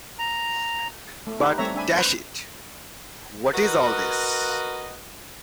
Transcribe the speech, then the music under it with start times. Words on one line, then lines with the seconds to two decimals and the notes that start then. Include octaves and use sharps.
But, dash it, what is all this?
0.19 A#5
1.27 A3
1.40 D#4 G4 B4
1.58 G3 A3 C4 C#5 E5 A#5
1.75 D4 E5 G#5 B5
1.96 B4 C5
3.53 F#4 A#4 B4 D#5